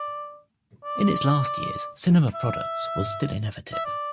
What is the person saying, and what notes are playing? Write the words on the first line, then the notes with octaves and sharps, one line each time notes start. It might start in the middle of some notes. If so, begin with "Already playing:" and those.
In its last years, Cinema Products was still innovative.
Already playing: D5
D5
E5
E5
D5